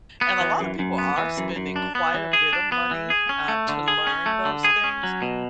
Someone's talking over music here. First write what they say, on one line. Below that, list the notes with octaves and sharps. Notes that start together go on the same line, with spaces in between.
And a lot of people are spending quite a bit of money, uh, to learn those things
B3
E3
F#2
F#2
B3
E3
F#2
F#2
D4
B3
E3
G#4
D4
B3
E3
G#4
C#4
A3
D3
G#4
C#4
A3
D3
G#4
C#4
F#3
B2